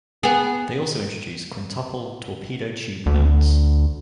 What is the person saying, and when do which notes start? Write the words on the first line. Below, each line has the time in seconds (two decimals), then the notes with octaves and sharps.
They also introduced quintuple torpedo tube mounts.
0.23 B3 G#4
3.06 D2